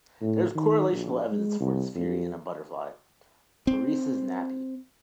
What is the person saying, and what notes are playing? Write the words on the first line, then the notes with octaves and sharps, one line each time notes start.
There is correlational evidence for this theory in a butterfly, "Pieris napi".
A2
D#3
A#1
G#3
C2
F2
C4